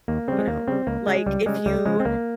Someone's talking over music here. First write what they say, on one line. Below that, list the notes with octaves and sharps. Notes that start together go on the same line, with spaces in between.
you know? Like, if you,
D#2 A#3
C#3 G3 C4
G#3
D#2 A#3
C#3 G3 C4
C#2 A#3
C#3 G3 G#3
C#2 G3
C#3 G3 G#3
C#2 G3
C#3 F3 G#3
C4
C#2 A#3